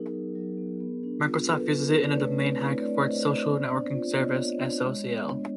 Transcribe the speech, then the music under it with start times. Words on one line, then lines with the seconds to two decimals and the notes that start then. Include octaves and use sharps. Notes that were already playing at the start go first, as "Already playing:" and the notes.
Microsoft uses it in a domain hack for its social networking service so.cl.
Already playing: F#3 B3 D#4 G#4 A#4
0.14 F#3
0.35 F#3
0.58 B3
0.80 B3
1.03 D4
1.24 F4
1.47 B3 A4 B4
1.69 B3
1.92 D4
2.03 D5
2.14 A3 B4 C#5
2.36 C4
2.59 E4
2.81 A3 D5
2.94 D#5
3.03 A3 C5 D5
3.25 C4
3.49 B3
3.70 D4
3.93 F4
4.15 B3 C#5 D#5
4.37 B3
4.59 D4
4.82 G#3
5.04 B3
5.27 D4